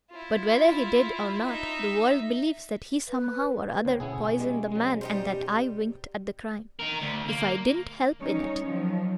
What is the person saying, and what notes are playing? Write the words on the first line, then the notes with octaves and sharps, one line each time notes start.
But whether he did or not, the world believes that he somehow or other poisoned the man and that I winked at the crime, if I didn't help in it.
E4 F4
D#4 E5
B4
D2 C5 C#5 G5
B2 B3 C#4 E4 G#4
G3 G#3
F#3 G#3
G3 D#4 G4 C5
D#4 A#4
D2
A#3
G3 C#4 D#4 C#5
D#3 F3 F#3